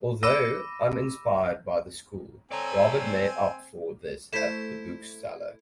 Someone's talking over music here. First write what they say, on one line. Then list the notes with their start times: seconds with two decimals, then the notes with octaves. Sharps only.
Although uninspired by the school, Robert made up for this at the bookseller.
0.23 B5 D6 E6 A#6 D#7
2.52 C4 A4 C#5 D5 G#5 A#5
4.33 A3 E4 C5 B6 E7